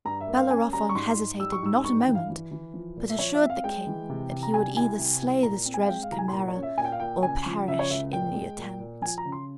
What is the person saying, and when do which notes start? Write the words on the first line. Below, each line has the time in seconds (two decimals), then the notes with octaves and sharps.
Bellerophon hesitated not a moment, but assured the king that he would either slay this dreaded Chimaera, or perish in the attempt.
0.05 G2 A#5
0.21 E5
0.27 A#3
0.36 F5
0.50 C#4 G#5
0.72 G3 A#5
0.89 C#6
0.95 G#2 C6
1.17 G#2
1.39 G3 E6
1.52 C#6
1.63 G#2 E6
1.85 G2 C#6
2.00 G5
2.06 E3
2.15 F5
2.30 E3
2.51 E3
2.74 F3
2.97 A#2
3.10 E5
3.19 F3 C#5
3.35 E5
3.41 C4
3.50 F5
3.64 G#3 G5
3.87 E3
4.09 C3
4.31 C3
4.43 A#5
4.53 G3 G#5
4.77 C2 G#5
4.99 C3
5.22 C2
5.43 A#2 A#5
5.66 C4
5.74 G#5
5.84 F5
5.88 G#3 G5
6.03 F5
6.11 C2 A#5
6.18 G#5
6.28 C6
6.33 A#2 A#5
6.48 C#5
6.56 C#4
6.63 E5
6.78 A#2 G#5
6.85 G5
6.92 F5
7.00 A#2 G5
7.23 C#3 G#5
7.46 F3
7.68 C#3 E5
7.79 C#5
7.90 C#2 E5
8.12 A#2 G5
8.35 G#3
8.58 A#2
8.80 A#2
9.02 F3 G#5
9.18 A#5
9.25 C#3
9.32 C6